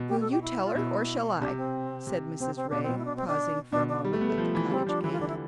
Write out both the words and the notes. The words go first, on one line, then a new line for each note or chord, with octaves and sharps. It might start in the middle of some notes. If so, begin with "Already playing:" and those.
"Will you tell her or shall I?" said Mrs. Ray, pausing for a moment at the cottage gate.
Already playing: B2
G4
A4
G4
E4
F4
B2 E4
C3 D4
C4
C3
C3 C4
C4
B2 D4
C4
B2
E4
D4
C4
D4
B2 D4
D4
G3
A3
B3
A3
F3
E3
G3 C4
F3 D4
E3 E4
F4
D3 D4
E4